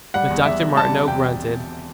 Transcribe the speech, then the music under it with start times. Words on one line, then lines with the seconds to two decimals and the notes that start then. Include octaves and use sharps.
But Dr. Martineau grunted.
0.14 G3 F#5
0.30 E2
0.45 G3 E5
0.61 E1
0.77 G3 A5
0.92 C3
1.08 E1 G5